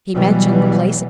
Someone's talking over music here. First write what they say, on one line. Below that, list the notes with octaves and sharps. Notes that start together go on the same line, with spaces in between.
He mentioned the placing.
B2 E3 F#3 G3